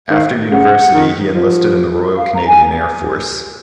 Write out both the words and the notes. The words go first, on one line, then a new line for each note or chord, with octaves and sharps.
After university, he enlisted in the Royal Canadian Air Force.
D#3 F5
C#3 F#5
D#3
F3
F5
A#5
G#5